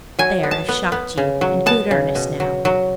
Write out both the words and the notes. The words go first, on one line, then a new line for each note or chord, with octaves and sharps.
There, I've shocked you in good earnest now.
F#3 G#5
B3
A5
B3
B3
C#3
F#3
B3 A5
C#3
B2
F#3
F#3